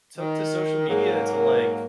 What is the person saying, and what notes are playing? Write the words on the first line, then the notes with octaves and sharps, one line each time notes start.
took to social media to, like,
D#3
G#2 F#3 A#3 G#4
A#4